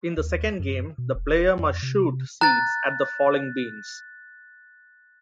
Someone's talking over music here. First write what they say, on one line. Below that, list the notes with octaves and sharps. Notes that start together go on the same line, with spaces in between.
In the second game, the player must shoot seeds at the falling beans.
D#2
F#2
B2
E1
F2
C3
A#5 F#6 A6